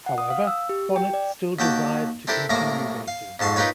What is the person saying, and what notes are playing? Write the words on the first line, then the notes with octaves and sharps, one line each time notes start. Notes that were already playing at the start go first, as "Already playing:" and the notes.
However, Bonnett still desired to continue racing.
F#5
D#6
F5
E6
G4
G5
D5
D#2 F#4 G5 A5 D6
C4 D4 E4 G4 A4 A#4
C2 A2 A#3 A#4 A#5 D6
F5
F2 G#2 A5 C6 C#6
D#4 F4 G4 A#4 B4 C#5